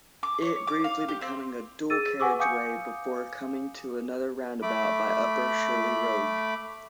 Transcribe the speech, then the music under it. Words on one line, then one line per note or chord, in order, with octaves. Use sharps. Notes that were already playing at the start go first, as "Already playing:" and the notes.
It briefly becoming a dual-carriageway before coming to another roundabout by Upper Shirley Road.
D6
C#5
D6
F5
G4
C4
G#4 E6 A6 D#7
B4 F#5 G#5 C#6 D6 E6
F5 G#5 D6 D#6 G6 C#7
A3 B5 D6